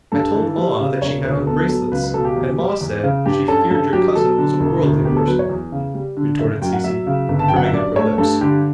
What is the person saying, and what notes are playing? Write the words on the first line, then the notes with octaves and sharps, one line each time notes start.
"I told Ma that she had on bracelets, and Ma said she feared your cousin was a worldly person," retorted Cecy, primming up her lips.
G2 A4
E3
G3
C#3
E1 C#5
D2 B4
B3 A4
F#3 A4
C#2 B4
B4
B2 A4
G4
E2
G3
E2
C#3
G2 G4
C#4 A4
G2 A4
F#3 G4
F#3 A4
D3
E1
D2
B3 G4
A4
F#3 B4
C#5
E2
C#3
G3
D3
F#1 E5
F#2 G5
F#5
F#3 E5
C#3
G1
A5
F#2 G5
F#5
E5
G2 D5
A3 C#5
G2 A4
D3 G4